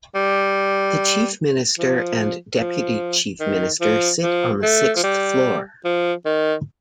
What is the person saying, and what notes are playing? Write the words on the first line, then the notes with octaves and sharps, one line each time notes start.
The Chief Minister and Deputy Chief Minister sit on the sixth floor.
G3
F3
F3
D#3
F3
F3
A3
F3
G3
F3
D#3